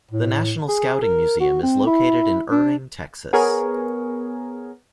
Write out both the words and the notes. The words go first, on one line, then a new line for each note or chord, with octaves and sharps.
The National Scouting Museum is located in Irving, Texas.
A2
G#4
A#4
F#4
C4
E4
D4
B3 G#4 A#4 C#5